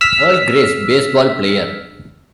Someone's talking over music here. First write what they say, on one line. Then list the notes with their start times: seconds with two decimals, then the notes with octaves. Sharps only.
Earl Grace, baseball player.
0.01 E6 F6 B6